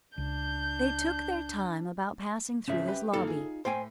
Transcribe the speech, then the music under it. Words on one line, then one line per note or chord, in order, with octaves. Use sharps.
They took their time about passing through this lobby.
C#2 D4 G6
G#1 C#3 F3 C#4 E5
G4 B4
G2 A#3 D#4 F4 A4
G#4
A2 C5 G5 G#5